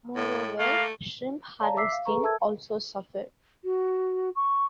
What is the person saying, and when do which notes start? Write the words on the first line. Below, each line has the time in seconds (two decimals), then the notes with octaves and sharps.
Moreover, shrimp harvesting also suffered.
0.16 A2
0.59 G3 A3 A#3 F5
1.61 C#5 D5 F5 A5 A#5
1.77 E5 D6 E6 B6 C7
1.92 F5
2.05 G#4 A4 B4 A#5 C#6
2.21 A4 A#4 E5 A5 E6 G#6
3.64 F#4
4.35 C#6